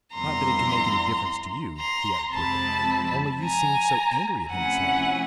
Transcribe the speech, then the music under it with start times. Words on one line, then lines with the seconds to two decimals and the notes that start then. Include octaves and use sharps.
"Not that it can make any difference to you," he added quickly, "only you seemed so angry at him this morning."
0.14 F2 D3 G3 B3 E4 A#5 C6
1.78 A#5 C6
2.32 F2 C3 F3 G#3 C4 A5 B5
3.41 G#5 A#5
4.51 C3 F3 A3 C#4 E4 F#5 G#5